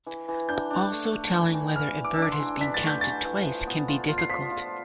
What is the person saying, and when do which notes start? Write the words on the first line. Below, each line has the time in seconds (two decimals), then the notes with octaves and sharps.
Also, telling whether a bird has been counted twice can be difficult.
0.06 E3
0.28 E3
0.49 D4 G6
0.70 D4
0.92 A3
1.13 A3
1.34 E3
1.54 E3
1.76 E3 F6
1.97 E3
2.04 D6
2.13 E6
2.18 D4 D6
2.32 C6
2.39 E3
2.60 D4 B6
2.74 A6
2.82 A3 G6
3.01 E3 A6
3.25 E3
3.45 F3
3.67 B3
3.88 F4
4.08 F4
4.18 C7
4.29 F3 B6
4.51 F4